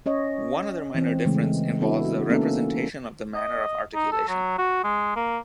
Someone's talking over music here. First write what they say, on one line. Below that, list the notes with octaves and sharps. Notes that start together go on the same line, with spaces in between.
One other minor difference involves the representation of the manner of articulation.
C#4 C#5 D#5
E3 C4
C#3 E3 G#3 A3
B3 D4 E4 F#4 A4
F#4 E5
A#3 B3 C#4 D#4 A4 A#4
D#5
D#4
A4
F#3
F#4
G#3
A#3